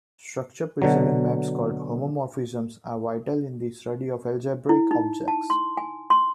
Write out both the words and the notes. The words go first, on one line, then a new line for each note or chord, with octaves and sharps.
Structure preserving maps called "homomorphisms" are vital in the study of algebraic objects.
B2 D3 F#3
E4
D#4
A5
C6
G#5
C6